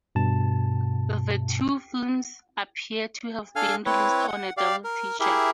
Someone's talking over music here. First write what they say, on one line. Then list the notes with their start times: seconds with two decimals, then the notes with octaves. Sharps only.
The two films appear to have been released on a double feature.
0.15 G2 B2 A5
3.56 D4 A4 F5 G#5 F6
3.86 C4 E4 B4 C#5
4.28 F#5
4.57 G4 D5 F5
4.84 A#4
5.20 E4 G4 G#4 A#4 E5